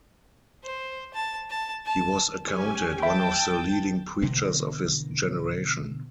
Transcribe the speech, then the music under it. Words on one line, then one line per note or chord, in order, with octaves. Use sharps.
He was accounted one of the leading preachers of his generation.
C5
A5
A5
A5
C#4 G4 G#5
E5 G5 A5 B5
B2 D3 E3 A#3